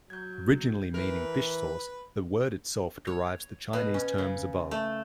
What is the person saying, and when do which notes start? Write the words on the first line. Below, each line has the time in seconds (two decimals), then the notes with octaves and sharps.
Originally meaning "fish sauce", the word itself derives the Chinese terms above.
0.10 F#3 G6 G#6
0.94 E3 A#4 B4
3.07 C#5
3.73 B2
3.94 C#4
4.18 C#3
4.71 A3